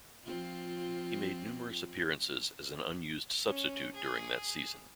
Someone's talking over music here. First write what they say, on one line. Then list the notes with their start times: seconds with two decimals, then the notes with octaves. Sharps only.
He made numerous appearances as an unused substitute during that season.
0.23 F3 C4 F4
3.46 C#4
3.95 G#4